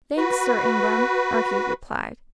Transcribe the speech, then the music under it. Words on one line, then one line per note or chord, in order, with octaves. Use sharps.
"Thanks, Sir Ingram," Archie replied.
F#4 B4